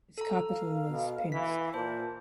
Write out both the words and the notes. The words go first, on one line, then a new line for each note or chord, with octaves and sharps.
Its capital was Pinsk.
A4 A#5
F5
B2
E3 B6
A#2 C5 A5